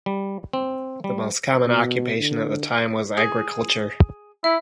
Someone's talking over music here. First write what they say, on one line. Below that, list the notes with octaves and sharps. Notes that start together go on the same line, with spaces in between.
The most common occupation of the time was agriculture.
G3
C4
G3
B2
D3
G#4
E4 E5